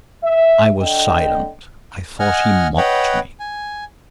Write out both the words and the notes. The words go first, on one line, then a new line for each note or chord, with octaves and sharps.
I was silent: I thought he mocked me.
E5
D3 D#5 G5
D#5 F#5 G#5 F6
B4 C#5 D#5 F#5 G5 B5
G#5